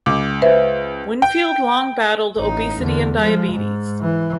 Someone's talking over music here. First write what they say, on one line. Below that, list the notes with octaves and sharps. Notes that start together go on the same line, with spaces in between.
Winfield long battled obesity and diabetes.
C#2 D6
B4 C5 E5
G5
A1 D#4
E2 D3
F3 G#3
G#2
E3